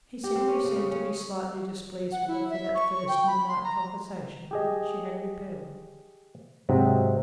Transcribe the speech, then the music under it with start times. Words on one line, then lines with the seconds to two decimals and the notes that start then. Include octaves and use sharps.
He simply seemed to be slightly displeased with her for that first midnight conversation, which she had repelled.
0.24 G4
0.36 C4
0.48 C#4
0.64 C#3
0.76 C#3
0.91 C#4
2.12 F#5
2.28 E4
2.50 E5
2.75 C#6
3.08 G5
3.27 B5
3.48 C6
3.64 A#5
4.51 G4 G#4 D#5
6.69 G#2 C3 F#3 C4 D#4